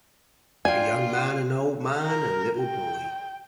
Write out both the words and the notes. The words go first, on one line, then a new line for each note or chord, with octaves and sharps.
A young man — an old man — and a little boy.
D4 F4 D5 F5 G5 G#5
A#4
G5